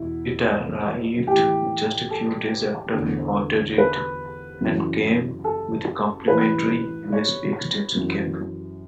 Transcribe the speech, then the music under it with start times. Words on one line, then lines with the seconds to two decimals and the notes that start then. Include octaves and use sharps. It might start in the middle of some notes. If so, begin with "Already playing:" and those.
It arrived just a few days after I ordered it, and came with a complementary USB extension cable.
Already playing: E2 B2 E4
1.27 A2 E3 G4
2.11 A4
2.94 E2 D3
3.78 B4
4.61 F#2 C#3 E3
5.44 A4
6.28 A2 E3 B4
7.12 C#5
7.96 F#2 E3